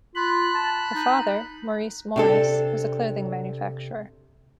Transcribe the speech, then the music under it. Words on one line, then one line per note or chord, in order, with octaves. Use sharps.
Her father, Maurice Morris, was a clothing manufacturer.
F4 B5 F#6
A5
D#4
C3 D4 A4